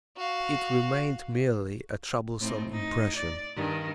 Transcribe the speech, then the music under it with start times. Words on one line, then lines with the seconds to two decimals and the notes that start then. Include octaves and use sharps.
It remained merely a troublesome impression.
0.17 F#4 F5
2.40 A2 C4 D#4
2.71 D#4
3.16 D5
3.56 G2 D#3